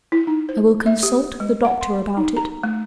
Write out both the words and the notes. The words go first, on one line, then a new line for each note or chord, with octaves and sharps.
I will consult the doctor about it.
E4
D#4
C5
E5
G4
G#3
F#5
C6
D#4
A#5
A3